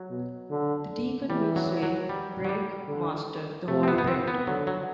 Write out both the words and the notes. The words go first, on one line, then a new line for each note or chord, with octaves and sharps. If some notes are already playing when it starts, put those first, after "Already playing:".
The deacon will say, Break, Master, the Holy Bread.
Already playing: F#3
B2
D3
E3 G3
F#3
F#3
G3
F#3
G3
D3
C3 A3
C4
B3
B3
C4
B3
D3 F#3
F#3